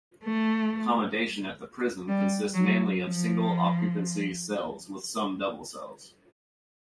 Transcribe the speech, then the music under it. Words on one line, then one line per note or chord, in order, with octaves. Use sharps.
Accommodation at the prison consists mainly of single occupancy cells, with some double cells.
A3
G3
F#3
F3